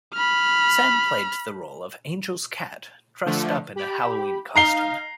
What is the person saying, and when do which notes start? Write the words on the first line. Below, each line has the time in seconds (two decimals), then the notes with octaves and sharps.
Sam played the role of Angel's cat, dressed up in a Halloween costume.
0.13 B5 F6
3.26 D3 F3 A3
3.76 G4 B5
4.56 D#4 F5 A#5 C7 G7